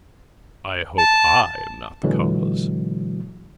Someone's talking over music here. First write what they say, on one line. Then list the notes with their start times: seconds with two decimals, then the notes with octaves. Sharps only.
"I hope I am not the cause."
0.98 A5
2.03 A#2 D3 E3 F#3 G#3